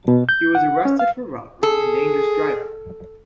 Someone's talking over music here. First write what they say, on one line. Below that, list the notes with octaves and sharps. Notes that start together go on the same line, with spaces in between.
He was arrested for robbery and dangerous driving.
B2
G6
F#5
C#4
F5
G#4 A4